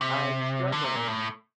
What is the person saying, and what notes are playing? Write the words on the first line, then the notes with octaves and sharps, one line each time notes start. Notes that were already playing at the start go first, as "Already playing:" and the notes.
I'm struggling."
C3
D3
C3
A#2
A2